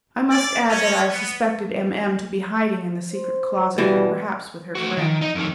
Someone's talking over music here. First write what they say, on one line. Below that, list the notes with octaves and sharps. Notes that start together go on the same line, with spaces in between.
I must add that I suspected M---- M---- to be hiding in the secret closet, perhaps with her friend.
D5
C#4
B3
C5
B2 E3 G3
A3 F#4
D#3
D#4 D#5
F2 D#3